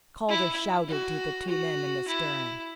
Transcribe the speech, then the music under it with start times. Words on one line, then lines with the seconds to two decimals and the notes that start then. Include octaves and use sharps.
Calder shouted to the two men in the stern.
0.28 E4
0.88 F#4
1.47 F#4
2.08 E4